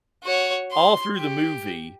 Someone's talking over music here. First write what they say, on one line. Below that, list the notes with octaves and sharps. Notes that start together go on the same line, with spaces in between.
all through the movie,
F#4 C#5
C6
G4